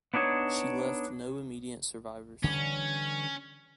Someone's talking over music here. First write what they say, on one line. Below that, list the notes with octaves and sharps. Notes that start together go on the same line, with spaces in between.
She left no immediate survivors.
B3 D4 D#4 C#5
D3 E3 G3 C#4